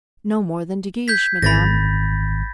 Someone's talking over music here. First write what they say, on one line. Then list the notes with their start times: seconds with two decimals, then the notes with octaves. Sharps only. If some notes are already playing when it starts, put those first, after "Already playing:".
"No more than De Guiche, Madame."
1.08 G6 G#6 B6
1.42 G#1 B5 A6 A#6